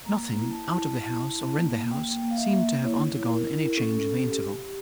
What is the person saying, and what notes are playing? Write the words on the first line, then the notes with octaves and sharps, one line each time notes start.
Nothing, out of the house or in the house, seemed to have undergone any change in the interval.
A#3 A#5
E4
A5
E4
E4
E4
A#3
A#3 G5
A#3
F5
E5
A#3
E4 C#5
E4
A#4
E4
C#4 A4
C#4
A4
G4